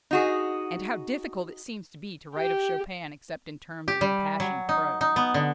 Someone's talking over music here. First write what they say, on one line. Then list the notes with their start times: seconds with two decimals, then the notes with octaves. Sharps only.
And how difficult it seems to be to write of Chopin except in terms of impassioned prose!
0.11 D#4 F#4 G#4
2.35 G4
3.88 G4
4.01 G3
4.40 F#3
4.69 D#4
5.01 D#4
5.16 B3
5.34 D3